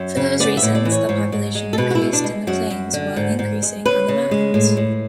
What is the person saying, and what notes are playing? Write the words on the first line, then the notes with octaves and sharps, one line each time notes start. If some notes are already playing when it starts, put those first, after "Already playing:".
For those reasons, the population decreased in the plains, while increasing on the mountains.
Already playing: F#2
C#3
B3 D5
E5
A2
D5
E3
C#5
G#2
G#2
G#3
A4
B2 B4
F#4
E4
B2
D4
G#3
F#2 F#4
F#2
D3
G#2
G#2
G#3
C#3 B4
C#3
G#3
A2
A2